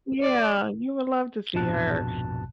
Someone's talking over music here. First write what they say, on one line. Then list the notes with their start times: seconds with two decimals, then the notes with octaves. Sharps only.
Yeah, you would love to see her,
0.22 D5
1.54 A#1 F2 G#2 B2 A5 F#6